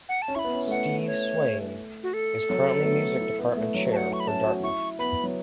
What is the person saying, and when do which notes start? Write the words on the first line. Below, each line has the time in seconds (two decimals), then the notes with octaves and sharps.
Steve Swayne is currently music department chair for Dartmouth.
0.09 F#5
0.22 A5
0.28 C#4
0.35 E4 B5 C#6
0.45 B3
0.53 C#4
0.67 A3
0.71 B3 F#5
0.88 A3
1.07 C#5
2.03 F#4
2.13 A4
2.50 F#3
2.78 B3
2.85 A3
3.21 E4
3.39 B3
3.57 A3
3.74 F#3
3.92 F#4 A5
3.96 F#5
4.10 E4 C#6
4.20 B5
4.28 C#4 A5
4.46 F#4
4.63 E4 C#6
4.99 B3 B5
5.24 F#3